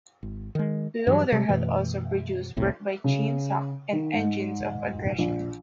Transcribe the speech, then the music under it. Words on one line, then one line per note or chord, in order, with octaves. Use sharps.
Lowder had also produced work by Chainsuck and Engines of Aggression.
G#1
D#3 G#3
G2 E3 F#3
C3 G3 G#3
F#2 B2 E3 A3
F#1 C2 A2 C3
C#3
D#3
G#2
A#1